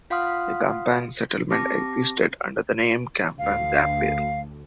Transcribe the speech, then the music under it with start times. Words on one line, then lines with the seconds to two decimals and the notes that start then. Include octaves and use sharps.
A kampung settlement existed under the name Kampung Gambir.
0.10 F4 F5 F#5 C6 D#6 F6
1.50 C4 G4 A5 D6 A#6
3.39 D2 F5